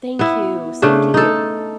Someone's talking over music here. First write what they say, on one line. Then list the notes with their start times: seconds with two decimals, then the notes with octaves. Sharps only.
Thank you, same to you.
0.19 B3 E4
0.82 C#3 A3 D4
1.14 D#4 A4